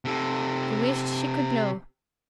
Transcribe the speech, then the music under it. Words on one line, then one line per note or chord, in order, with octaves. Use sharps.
She wished she could know.
C3 A4